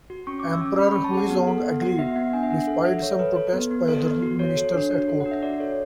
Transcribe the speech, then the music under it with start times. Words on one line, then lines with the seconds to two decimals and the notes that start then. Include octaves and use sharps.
Emperor Huizong agreed, despite some protest by other ministers at court.
0.10 F#4
0.27 C#4 C#6
0.40 C#4 D6
0.53 E6
0.61 C#4 D6
0.78 C#4 B5
0.91 C#4 C#6
1.04 A5
1.13 G#4 F#5
1.30 B3
1.47 A4
1.65 B3
1.82 F#4 F#5
1.99 B3 E5
2.16 B3 F#5
2.33 D4 G#5
2.43 E5
2.50 D4 F#5
2.67 A4 F#5
2.85 A4 E5
3.02 A4 C#5
3.19 A4 B4
3.36 A4
3.53 B3
3.71 B3
3.88 A4
4.05 B3
4.22 F#4
4.39 F#4 C#5
4.56 A4
4.74 D4
4.91 F#4
5.08 A4
5.20 F#5
5.26 D4
5.31 E5
5.43 F#4 D5
5.60 A4 C#5